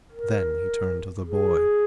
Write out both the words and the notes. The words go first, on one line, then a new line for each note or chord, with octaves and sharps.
Then he turned to the boy.
A#4
G#4